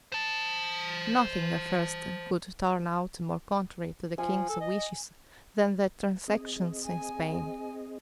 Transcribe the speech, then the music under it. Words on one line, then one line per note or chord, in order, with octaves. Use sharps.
Nothing at first could turn out more contrary to the king's wishes than the transactions in Spain.
C5 A5
F3 G#5
A4
D#5
C4 G#4 D#5
G#5